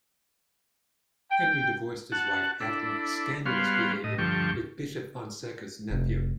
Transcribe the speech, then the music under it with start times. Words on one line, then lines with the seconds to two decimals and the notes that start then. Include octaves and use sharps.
Henry divorced his wife after her scandalous behavior with Bishop Fonseca's nephew.
1.31 G5
2.12 F#4 F#5 A5
2.60 D4 E4 A4
3.46 G3 B3 C#4 F#4 F5 C6
4.04 A2 D#5
4.18 D2 G2 F3 A4 G5 C#6
5.90 F1